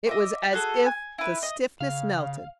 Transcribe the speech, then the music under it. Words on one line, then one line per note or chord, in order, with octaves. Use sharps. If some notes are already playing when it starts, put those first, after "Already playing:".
It was as if the stiffness melted.
D#5 E5 D6
F#4 G#4 A4
G#5
E4 B4
D#5
C#3 F5